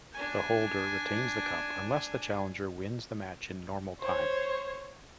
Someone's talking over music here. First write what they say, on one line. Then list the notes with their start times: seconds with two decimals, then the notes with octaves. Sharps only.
The holder retains the cup unless the challenger wins the match in normal time.
0.13 D4 G#5
4.00 C5 C#5